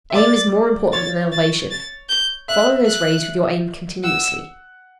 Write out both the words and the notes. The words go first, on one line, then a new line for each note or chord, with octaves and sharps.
Aim is more important than elevation. Follow those rays with your aim continuously.
E5
D5 A6
C#5 A6
A6
A6
G6
E5 F#6
F#6
F#5 E6